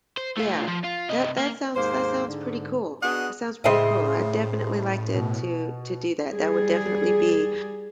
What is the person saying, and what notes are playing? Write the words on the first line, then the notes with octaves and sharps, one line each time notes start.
Yeah. That that sounds that sounds pretty cool. That sounds pretty cool, I'd definitely like to to to do that. That would definitely be
C5
A3 F4
F3
F4
C3 D#5
A#3
D#2 G#2 G#3 A#3 C5
G#2 D3
B3 D4 F#4 G#4 D#5 F#5
A2 C#3 E4 C5 D#5 G5
B2
G3 G#4